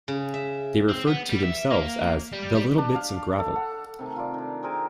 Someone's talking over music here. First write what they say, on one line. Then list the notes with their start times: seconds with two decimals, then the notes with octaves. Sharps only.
They referred to themselves as "The Little Bits of Gravel".
0.08 C#3
0.34 E5
0.89 C4
1.07 B3
1.29 G3
1.43 E5
1.71 A#3
2.33 G3
2.55 G3
2.78 D4
2.95 F5
3.38 A4
3.56 F#5
3.99 C3 D#3 A3
4.16 F4 D5
4.34 D#3 D4
4.63 C4 G#4 A#4 G#5